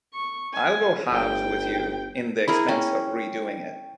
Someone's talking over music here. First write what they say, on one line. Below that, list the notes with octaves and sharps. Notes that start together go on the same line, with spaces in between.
I'll go halves with you in the expense of redoing it.
C#6
G#5
G1 G5
E4 G#4 A#4 B5
C#4 G5